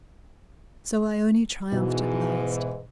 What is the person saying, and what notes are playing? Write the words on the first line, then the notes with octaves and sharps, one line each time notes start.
So Ione triumphed at last.
G#2 B2 E3